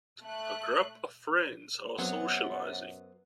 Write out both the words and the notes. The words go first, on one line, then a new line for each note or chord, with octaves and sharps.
A group of friends are socializing.
A3 F#6
F#2 F#3 B3 C4 F#5